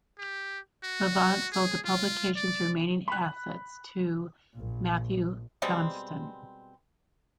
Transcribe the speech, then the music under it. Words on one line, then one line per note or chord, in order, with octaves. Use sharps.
Levant sold the publication's remaining assets to Matthew Johnston.
G4
F#4
G#4
F4
D5
B5 F#6
A#1
B2 G3 G#3 C4